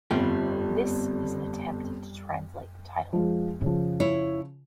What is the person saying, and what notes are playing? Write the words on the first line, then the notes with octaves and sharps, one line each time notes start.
This is an attempt to translate the title.
G1 F2 G3 F4 G5
F3 G#3
C#3 F3
E4 C#5